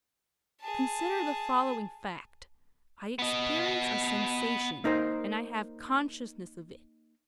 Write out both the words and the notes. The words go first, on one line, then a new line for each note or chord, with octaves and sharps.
Consider the following fact: "I experience a sensation, and I have consciousness of it."
G#4 A5
B3 D#5
A#3 D#4 A#4 C5